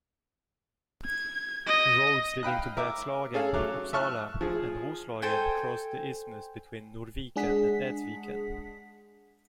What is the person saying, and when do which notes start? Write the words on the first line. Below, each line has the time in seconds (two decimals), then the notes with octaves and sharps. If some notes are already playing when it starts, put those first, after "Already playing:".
Roads leading to Bergslagen, Uppsala, and Roslagen crossed the isthmus between Norrviken and Edsviken.
1.05 G#6
1.66 D#5
2.43 F5 G5 B5 F#6
2.77 A#4 E5 D6
3.34 C#4 G#4 A4 F5
3.54 F#3 A3 D6
3.93 E5 A5 C#6 F6 F#6
4.41 F3 G#4
5.22 A4 C5 G5 G#5
7.36 G#3 D4 G#4 F#5 B6